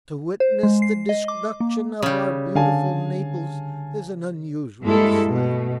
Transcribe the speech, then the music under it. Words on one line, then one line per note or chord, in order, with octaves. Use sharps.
To witness the destruction of our beautiful Naples is an unusual sight.
C5
G#3
C7
D#5
D6
A#3
C#3 G3
D3 F5 G#5 A5
G2 G#3 A#3 E4 A4
B2 A3